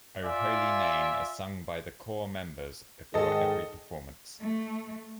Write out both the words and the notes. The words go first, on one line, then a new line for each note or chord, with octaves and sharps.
"O Holy Name" is sung by the corps members before every performance.
F4 D5 E5 G#5
G#2 D#3 A4 D#5
A3